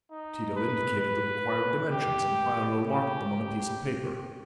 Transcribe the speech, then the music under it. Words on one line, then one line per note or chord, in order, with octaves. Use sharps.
Tito indicated the required dimensions, and Piero marked them on a piece of paper.
D#4
B4
B4
G4
G4